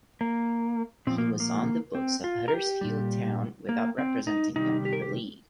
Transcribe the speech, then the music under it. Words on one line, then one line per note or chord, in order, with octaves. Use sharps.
He was on the books of Huddersfield Town without representing them in the league.
A#3
A#2 F3 C4
A#3
A#3
C4
F4
A#4
G4
A#2 G3
A#3
C4
D#4
C3 D#3 G3 D#4
G4
A#4
G4